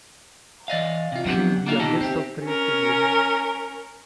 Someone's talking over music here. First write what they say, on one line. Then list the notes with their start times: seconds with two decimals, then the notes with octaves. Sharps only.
She is youngest of three siblings.
0.68 E3 D5 D#5 F5
1.12 C3 F4
1.26 F#3 B3 C4 D4 G4
1.66 A#3 D4 F4 E5 F5
1.79 B2 D3 D#3 D#4 G4 A4
2.01 C4 G4
2.44 C#4 A#4